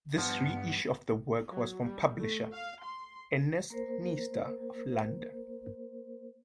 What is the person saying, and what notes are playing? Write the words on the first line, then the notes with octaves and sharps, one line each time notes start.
This reissue of the work was from publisher Ernest Nister of London.
G2 F3 B3 F#5
F#3
G3
A3
F5
C6
A#3 A#4 C5